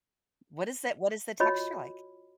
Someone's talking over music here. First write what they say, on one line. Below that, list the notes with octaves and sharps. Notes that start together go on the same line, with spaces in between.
What is tha what is the texture like?
F4 F#4 C#5 D#5 B5